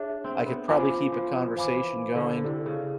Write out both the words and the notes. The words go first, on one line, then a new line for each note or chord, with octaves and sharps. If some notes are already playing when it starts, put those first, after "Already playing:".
I could probably keep a conversation going,
Already playing: D4 G#4 C#5 E5
C4
B3
F3 C5 F5 G#5 B5 D6
F3
E3 C5 F5 G#5 B5 D6
D3
C3 E4 A4 D5
C#3